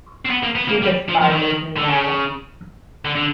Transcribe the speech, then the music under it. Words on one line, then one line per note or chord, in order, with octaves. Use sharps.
She despises me now.
C4
B3
A#3
B3
A#3
G3
F3
F3
E3
D#3
D3
C#3
D3
D3